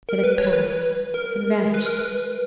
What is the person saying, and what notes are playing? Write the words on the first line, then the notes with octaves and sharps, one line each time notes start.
It had passed and vanished.
A#4
B4
C#5
B4
A#4
B4
A#4
B4